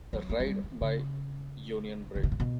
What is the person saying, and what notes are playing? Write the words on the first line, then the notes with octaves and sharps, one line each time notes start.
A raid by Union Brig.
F#3
A#3
F#3
G3
E3
C#3
C#3
B2
A#2
B2